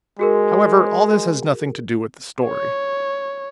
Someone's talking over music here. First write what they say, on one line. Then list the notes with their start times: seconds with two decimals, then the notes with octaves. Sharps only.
However, all this has nothing to do with the story.
0.19 G#3 F#4 G#4 A#4
2.45 C#5